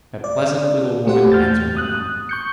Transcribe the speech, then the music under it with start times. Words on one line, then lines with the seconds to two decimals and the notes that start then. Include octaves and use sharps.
A pleasant little woman answered my knock.
0.24 D5
1.07 A3 F#4 G4 C5 F#5
1.32 E2 F6 G6 A6
1.77 D#6 F#6
2.29 C#6 G6 C#7